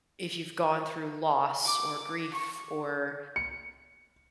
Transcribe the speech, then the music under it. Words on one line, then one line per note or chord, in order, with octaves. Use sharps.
if you've gone through loss or grief or
D6
C#6
C#7